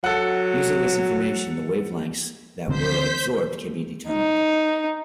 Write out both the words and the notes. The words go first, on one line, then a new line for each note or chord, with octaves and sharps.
Using this information, the wavelengths that were absorbed can be determined.
F#3 A4 F#5
D2 D3 C4 C5 G6 B6
D#4